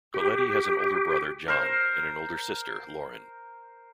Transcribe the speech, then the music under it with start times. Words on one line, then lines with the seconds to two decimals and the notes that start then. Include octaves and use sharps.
Colletti has an older brother John, and an older sister Lauren.
0.14 G4
1.48 A#4 C5